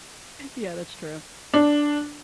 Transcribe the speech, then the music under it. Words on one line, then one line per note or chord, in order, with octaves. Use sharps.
Yeah, that's true.
D4